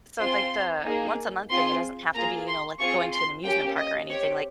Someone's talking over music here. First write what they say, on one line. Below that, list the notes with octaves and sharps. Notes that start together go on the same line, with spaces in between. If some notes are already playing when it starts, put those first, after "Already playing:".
so, like, the once a month thing, it doesn't have to be, you know, like, going to an amusement park or anything, like,
C4 F4 G#4 C6
A#3 D#4 G#4
C4 F4 G#4 C6
A#3 F4 G#4 A#5
C6
C4 F4 G#4 C#6
C6
A#3 C#4 G4 G5
D#5
C4 G4 C#5